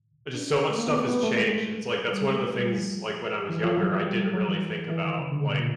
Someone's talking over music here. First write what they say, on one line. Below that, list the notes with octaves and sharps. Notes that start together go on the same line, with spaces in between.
i just so much stuff has changed, and it's, like, that's one of the things, like, when I was younger, I didn't really think about. Like,
D4
C#4
A3
A#3
B3
C4
B3
A3
G#3
G3
G#3
A3
G3
G3
F3
E3
F3
F#3
G3
F#3
F#3
E3
E3
D#3
C#3
D3
B2
A#2